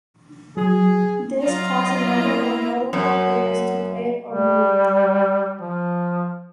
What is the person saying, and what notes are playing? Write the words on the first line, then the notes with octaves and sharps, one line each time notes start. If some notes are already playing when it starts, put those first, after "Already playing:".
This caused a number of notable players to quit or move.
F#3 G#4
F#3 F4 D#5 A#5
A#3 E4
F#2
G3
F3